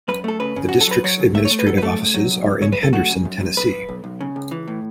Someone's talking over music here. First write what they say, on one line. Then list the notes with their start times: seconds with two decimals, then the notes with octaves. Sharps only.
The district's administrative offices are in Henderson, Tennessee.
0.08 F#2 B4
0.24 A3 A4
0.40 C#3 B4
0.56 C#3
0.69 F#2 F#4
0.81 A4
0.87 F#3 B4
1.04 F#3 C#5
1.19 C#3
1.35 A3 E5
1.45 C#5
1.51 A3
1.59 B4
1.67 F#3 A4
1.78 B4
1.82 A3 A4
1.99 C#2
2.14 F#3
2.30 B1
2.46 B1
2.62 C#3 C#5
2.72 B4
2.77 F#2
2.83 A4
2.93 A3 F#4
3.09 C#3
3.25 F#2
3.41 F#2
3.57 B1 B4
3.73 B1
3.89 B1
4.04 B1
4.21 C#3
4.36 C#2
4.51 E3
4.68 A2